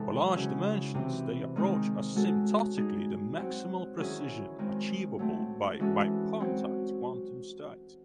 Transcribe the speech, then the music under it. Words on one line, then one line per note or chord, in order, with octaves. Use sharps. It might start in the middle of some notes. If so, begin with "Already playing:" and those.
For large dimensions they approach asymptotically the maximal precision achievable by bipartite quantum states.
Already playing: C3 E3 G#3 D#4 A4
C#3 F#3 C#4 E4 G#4
C3 E3 C4
D#3 G#3 C4 D#4
G#3 C#4 F#4 A4
G#3 D#4 G#4
F#3 C4 F#4
D#3 F#3 C#4 E4 G#4
D#3 G#3 C4
F#3 A3 C4
E3 G#3 C#4 F#4 A4
F#3 C4 F#4